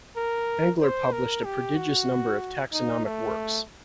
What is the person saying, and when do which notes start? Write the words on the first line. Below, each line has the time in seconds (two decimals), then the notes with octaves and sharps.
Engler published a prodigious number of taxonomic works.
0.16 A#4
0.80 C5
1.12 A#4
1.44 G4
1.76 F#4
2.73 D#4
3.05 A3